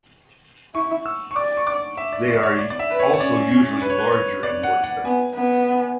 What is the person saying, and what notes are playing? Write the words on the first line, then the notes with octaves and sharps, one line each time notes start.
They are also usually larger and more expensive.
E4 C#6
E6
C#6
D5 D6
C#6
D6
E5
D5
D5
C#5
D5
D5
E5
B4
C#5
C#5
C#4 D5
C#5
B4
C#5
B4
C#5
D5
F#5
F#5
B3 G#5
B3